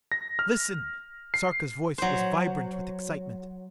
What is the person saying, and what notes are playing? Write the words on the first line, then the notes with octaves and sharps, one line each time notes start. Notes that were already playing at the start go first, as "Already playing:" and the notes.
"Listen!" Sarka's voice was vibrant with excitement.
A#6
F6
C7
F#3 C5